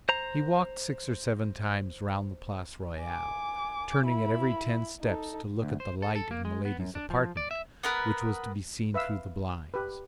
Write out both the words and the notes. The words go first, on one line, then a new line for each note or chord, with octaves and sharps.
He walked six or seven times round the Place Royale, turning at every ten steps to look at the light in Milady's apartment, which was to be seen through the blinds.
C5 A#5
G#5 D6
E4 B5
D#4 A4
D2
C5
A4
A4
A#3
G#3
B3
F#2
D4
F3
D5
E5
B3 A#4 B4
B4 E5 F5 E6
G4 B4